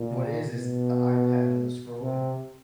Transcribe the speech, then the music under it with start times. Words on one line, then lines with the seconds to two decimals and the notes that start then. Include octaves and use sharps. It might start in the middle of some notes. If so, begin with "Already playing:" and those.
What it is is the iPad and the scrolling.
Already playing: A#2
0.54 B2
2.01 C3